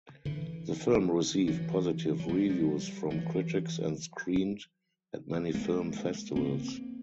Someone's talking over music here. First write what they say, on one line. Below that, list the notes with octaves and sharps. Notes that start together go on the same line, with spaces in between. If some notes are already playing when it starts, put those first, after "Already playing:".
The film received positive reviews from critics and screened at many film festivals.
D3 E3
E3 F#3
F#3
F3 G3
F3 G3
E3 F#3
G#3 A#3
A#3 C4